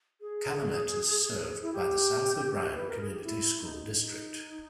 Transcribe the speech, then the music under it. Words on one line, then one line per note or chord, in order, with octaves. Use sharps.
Calumet is served by the South O'Brien Community School District.
G#4
E4
G4
B4
A#4
G#4
G4
E4
D#4
D#4